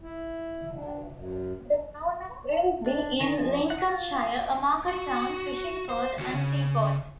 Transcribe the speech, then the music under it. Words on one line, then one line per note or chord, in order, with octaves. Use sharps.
The town of Grimsby in Lincolnshire, a market town, fishing port and seaport.
E4
D4
F#2
D4
D#3
F3
F#5
F4
F#4
C5
D#2 F#4
C#3